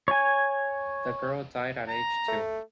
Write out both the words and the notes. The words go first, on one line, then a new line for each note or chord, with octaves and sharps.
The girl died at age two.
C#5 G#5
A#5
A3